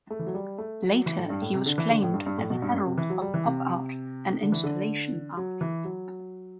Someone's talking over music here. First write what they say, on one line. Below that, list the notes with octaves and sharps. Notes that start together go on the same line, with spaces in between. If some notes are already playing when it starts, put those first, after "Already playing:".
Later he was claimed as a herald of pop art and installation art.
A3
E3
F#3
G3
A3
F#3
E3
A2
G2
A2
C3
D3
E3
D3
A2
G2
G2
A2
B2
G2
F#2
C3
E3
F#3
G3
E3
C3
D3
E3
D3
F#3
E3
F#3